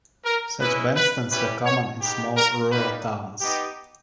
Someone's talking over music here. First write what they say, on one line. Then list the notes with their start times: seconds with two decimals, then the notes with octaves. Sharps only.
Such bandstands were common in small rural towns.
0.25 A#4
0.60 G#3 C#4 E4 B4
0.96 B4
1.31 G3 C#4 E4 G4 B4
1.65 C#5
2.01 G#3 B3 D#4 G4
2.36 A#4
2.70 G3 A#3 D#4 G4 B4
3.41 B3 D#4 G4